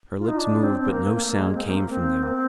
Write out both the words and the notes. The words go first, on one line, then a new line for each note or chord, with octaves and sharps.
Her lips moved; but no sound came from them.
F4
D#4
D4
C4
C4
A#3
A#3
A#3
G#3
C4
A#3
C4
A#3
C4